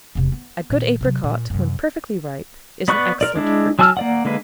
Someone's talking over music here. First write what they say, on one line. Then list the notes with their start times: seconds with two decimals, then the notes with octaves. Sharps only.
A good apricot, when perfectly ripe, is an excellent fruit.
0.15 E1 C3
0.32 B3
0.70 A#2 D#3
1.01 C3 F#3
1.24 A#2
1.50 F#2 C3
2.88 B3 D5 B5 C#6 F#6
3.21 A#4 D5
3.36 G#3 D4 E4
3.79 F#3 G#5 A5 E6 F6
3.97 A#3 D5 F#5
4.25 D3 G#3 A#3 B4